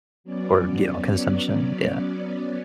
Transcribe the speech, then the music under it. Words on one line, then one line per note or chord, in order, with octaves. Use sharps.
or, you know, consumption, yeah.
F#3 B3 C#4 D5